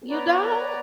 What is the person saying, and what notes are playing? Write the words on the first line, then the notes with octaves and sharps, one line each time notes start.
You don't?
B3 B4 C#5 D5 A#5